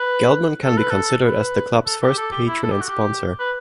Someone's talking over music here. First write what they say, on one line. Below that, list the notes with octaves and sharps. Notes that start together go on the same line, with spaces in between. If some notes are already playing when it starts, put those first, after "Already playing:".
Geldner can be considered as the club’s first patron and sponsor.
Already playing: B4
A4
B4
A4
B4
A4
G4
A4
G4
E4
A4
G4
F#4
G4
B4